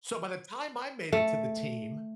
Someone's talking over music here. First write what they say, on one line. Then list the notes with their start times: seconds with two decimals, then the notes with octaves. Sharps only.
so by the time I made it to the team,
1.12 A3